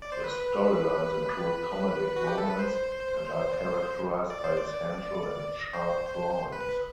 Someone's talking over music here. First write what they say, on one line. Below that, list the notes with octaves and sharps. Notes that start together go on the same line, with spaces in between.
The storylines include comedic moments and are characterised by essential and sharp drawings.
D5
C5
B4
F#4
G4
A4
B4
C5
D5
C5
D5
C5
B4